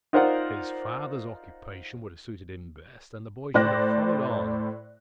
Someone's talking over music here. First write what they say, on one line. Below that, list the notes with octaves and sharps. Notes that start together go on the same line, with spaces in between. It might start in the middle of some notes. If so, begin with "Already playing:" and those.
His father's occupation would have suited him best, and the boy should have followed on.
D#4 F4 A#4 C5 D5 F#5
A2 C5 D5 G5 F#6 A#6